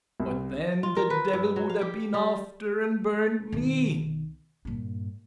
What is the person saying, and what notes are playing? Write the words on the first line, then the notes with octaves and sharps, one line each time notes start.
But then the devil would a' been after and burned me!
C2
F4
A#4
B4
G2
F#3
F5
G4
G3
B1 D#3
G2 A#2